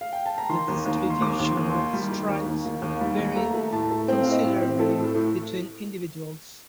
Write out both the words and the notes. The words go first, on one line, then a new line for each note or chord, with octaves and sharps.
The distribution of stripes varied considerably between individuals.
F5
G5
A5
A#5
D#3 C6
D#2
D#2
D#3
C6
D#2 D6
D#2
C6
D#2
D#3 C6
G3
D#3
D#2
D#2
D#3
D#2
G3
D#2
A3 A#5
A3
A2 A5
A3
C4 G5
A2 F5
D#5
A2
G4
C4
A3 A4
A2
A4
A2